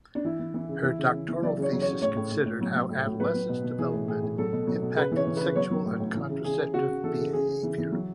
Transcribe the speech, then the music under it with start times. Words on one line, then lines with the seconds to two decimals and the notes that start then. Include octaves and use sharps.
Her doctoral thesis considered how adolescent development impacted sexual and contraceptive behaviour.
0.15 D4
0.25 E3 E4
0.39 E3
0.54 E3
0.69 C#3
0.83 E3 E4
0.99 C#3
1.13 C#3
1.28 E3
1.42 F#3 D5
1.58 C#3
1.63 C#5
1.72 F#3
1.82 C#5
1.88 C#3
2.02 A2 C#5
2.17 A2
2.31 A2
2.46 A2
2.61 F#3
2.76 F#3
2.90 A2
3.05 A2
3.20 F#3 B4
3.34 F#3
3.49 B2
3.64 B2
3.79 E3 G#4
3.93 A2
4.08 A2 G#4
4.23 A2
4.38 F#3 A4
4.53 B2
4.67 F#3
4.82 B2
4.97 C#3 B4
5.12 E3 C#5
5.27 E3
5.37 B4
5.41 C#3
5.56 F#3 C#5
5.71 F#3
5.86 A2
6.00 A2
6.15 E3
6.29 C#3
6.44 C#3 G#4
6.59 C#3
6.74 C#3 F#4
6.89 C#3
7.04 E3 A4
7.18 C#3
7.33 C#3 G#4
7.48 C#3
7.63 E3
7.78 E3
7.92 F#3